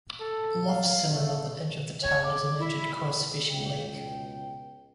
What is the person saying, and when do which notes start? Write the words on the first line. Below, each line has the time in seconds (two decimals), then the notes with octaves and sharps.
Lough Sillan, on the edge of the town, is a noted coarse fishing lake.
0.20 A4
0.67 F5
1.12 A3
2.02 C#5
2.24 D6
2.59 E4
3.51 C#2 B2 G5